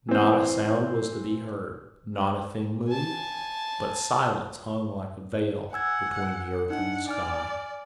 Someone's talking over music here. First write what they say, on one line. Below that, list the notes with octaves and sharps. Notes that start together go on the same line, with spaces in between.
Not a sound was to be heard, not a thing moved, but silence hung like a veil between the earth and the sky.
E3 C4
G#5 A5
F#5 G#5 E6 G#6
D4 D#4 F#5
D5 G#5 F6